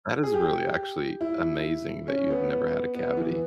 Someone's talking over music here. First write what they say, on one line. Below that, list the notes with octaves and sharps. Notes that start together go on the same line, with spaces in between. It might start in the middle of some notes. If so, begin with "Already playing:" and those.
That is really actually amazing that you have never had a cavity,
G#4
G4
E4
C#4
B3
B3
E3